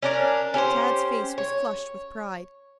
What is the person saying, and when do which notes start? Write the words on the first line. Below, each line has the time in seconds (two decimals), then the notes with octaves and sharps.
Tad's face was flushed with pride.
0.02 C#4 D4 A#4
0.54 C#4 G4 B4 C5
1.38 C#5